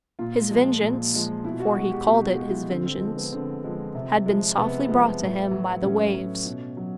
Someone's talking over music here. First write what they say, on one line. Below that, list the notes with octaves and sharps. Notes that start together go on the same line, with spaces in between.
His vengeance--for he called it his vengeance--had been softly brought to him by the waves.
A#2 F4
F3 G#3
A#2
F3 G#3
B2 E4
F#4
G#3 F#4
G4
B2 F#4
F4
G#3
E4
D3 C4
C4
F3 G#3
B3
D3 C4
F3 G#3
C3
F3 G#3
C3 B3
F3 G#3
A2
F#3
A2 C#4
F#3
B2
F#3